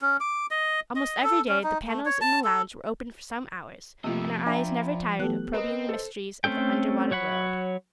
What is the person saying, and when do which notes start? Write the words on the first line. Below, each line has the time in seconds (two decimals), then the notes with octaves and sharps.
Almost every day the panels in the lounge were open for some hours, and our eyes never tired of probing the mysteries of the underwater world.
0.02 C#4
0.20 D6
0.51 D#5
0.96 D#5
1.24 A4
1.48 C#4
1.63 D#4
1.87 A3
2.06 C#5
2.21 A5
2.44 A4
4.04 C3 F3 A3 A#3 F4 D#5 E6
4.46 D4 D5 E5 G5 G#5 A#5 B5
5.19 E3 F#3 A3 B3 G4 A4 F#6
5.54 C4 A#4 B4 D#5
5.89 A4 C5
6.44 A3 C4 C#4 A4 G5
7.11 F#3 C#5 F#5 B5